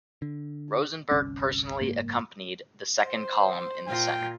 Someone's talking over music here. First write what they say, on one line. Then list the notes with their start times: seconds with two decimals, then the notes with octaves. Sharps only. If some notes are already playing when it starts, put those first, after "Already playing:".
Rosenberg personally accompanied the Second Column in the center.
0.22 D3
1.11 G1 C2 C#4
1.81 F#1 G#2 A#3
3.02 C5
3.87 A#2 F4 G5